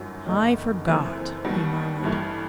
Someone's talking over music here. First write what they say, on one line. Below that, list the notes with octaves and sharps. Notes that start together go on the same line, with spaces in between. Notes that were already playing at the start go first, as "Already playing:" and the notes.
"I forgot," he murmured.
Already playing: G1 F#2 D#3 F#3
F#1 E2 D#3 A3 D#4
F#1 F#2 E3 A3 C4
D#2 D#3 G3 B3
A1 G2 E3 A3